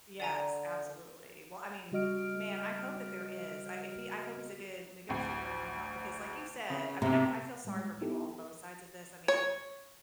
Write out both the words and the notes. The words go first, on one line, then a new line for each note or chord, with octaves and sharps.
Yes. Absolutely. Well, I mean, man, I hope that there is. I if he I hope he's a good negotiator and can help because like you said, I mean, I I feel sorry for people on both sides of this. I mean,
D3 D5 G#5 A#5
C#3 G3 F#4 D#5 F6 D7
A1 D2
C#3
B1 C3 C5 A#5
A2 G3 G#3
B3 D#4 E4 G4 A4
C#5